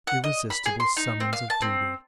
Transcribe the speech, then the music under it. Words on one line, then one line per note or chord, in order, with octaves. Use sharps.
Irresistible summons of duty!
F#5
D#5
B5
G#4
C6
D#4
C4
F5
A5
C4